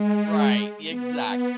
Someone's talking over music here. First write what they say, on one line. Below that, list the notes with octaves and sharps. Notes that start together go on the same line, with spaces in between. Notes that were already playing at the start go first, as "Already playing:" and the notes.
Right, exact
Already playing: G#3
B3
B3